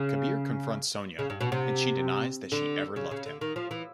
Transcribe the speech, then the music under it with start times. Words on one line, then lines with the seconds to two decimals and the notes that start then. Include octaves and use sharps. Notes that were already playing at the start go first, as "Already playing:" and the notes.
Kabir confronts Sonia and she denies that she ever loved him.
Already playing: C#3
1.19 C#3
1.30 G2
1.41 B2
1.52 C3
2.52 D3
2.96 C#3
3.11 C#3
3.26 D3
3.41 D#3
3.56 F3
3.71 E3